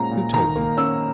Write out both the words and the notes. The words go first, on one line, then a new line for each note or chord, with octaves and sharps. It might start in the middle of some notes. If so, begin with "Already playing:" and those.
"Who told them?"
Already playing: A#2 G#3 C#4 A#5
A#2
D#3 A#5
A#3
C#4 E6